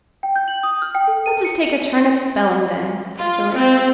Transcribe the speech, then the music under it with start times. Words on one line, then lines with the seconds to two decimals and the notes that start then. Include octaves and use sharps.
'Let us take a turn at spelling, then,' said Philip.
0.23 G5
0.36 G6
0.48 F#7
0.63 D#6
0.82 F6
0.95 G5
1.07 A4
1.26 D#7
1.45 C#7
3.18 F4
3.54 C4